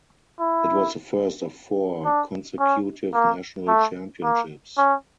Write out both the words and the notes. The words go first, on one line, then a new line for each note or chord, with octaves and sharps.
It was the first of four consecutive national championships.
E4
D4
C#4
A#3
A3
A#3
C#4